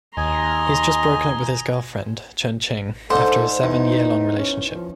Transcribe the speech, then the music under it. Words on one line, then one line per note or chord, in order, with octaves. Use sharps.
He has just broken up with his girlfriend, Chun Ching, after a seven-year-long relationship.
D#2 D#5 G#5 A#5 C6
G#2 D4 A4 C5
E2 D#4
C#4
F3